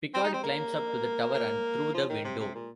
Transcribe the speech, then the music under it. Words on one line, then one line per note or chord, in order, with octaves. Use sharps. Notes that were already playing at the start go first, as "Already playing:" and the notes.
Picard climbs up to the tower and through the window.
C4
D#4
C4
A#3
A#3
F3
D#3
C3
C3
A#2